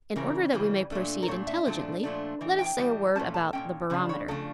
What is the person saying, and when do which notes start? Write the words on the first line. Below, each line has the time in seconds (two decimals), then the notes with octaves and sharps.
In order that we may proceed intelligently, let us say a word about the barometer.
0.16 C#3 E3 G3 C#4 A#4
0.53 C#3 E3 G3 C#4
0.91 A#2 A3 D4
1.22 A#4
1.28 A#2 A3 D4 C#5
1.47 E5
1.66 A#2 F3 A3 D4
2.03 A#2 F3 A3 D4
2.41 A2 E3
2.59 G5
2.78 A2 E3 G3
3.15 A#2 A3 C#4 A5
3.34 A5
3.53 A#2 A3 C#4 G5
3.90 C#3 F3 D4
4.09 C#5
4.28 C#3 F3 A3 D4 A4